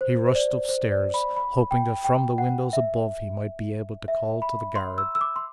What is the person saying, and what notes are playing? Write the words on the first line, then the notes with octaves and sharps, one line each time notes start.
He rushed upstairs, hoping that from the windows above he might be able to call to the guard.
C5
C5
D5
C5
D5
B5
B5
G5
G5
F#5
E5
E5
B5
C6
E6
E6
D6
C6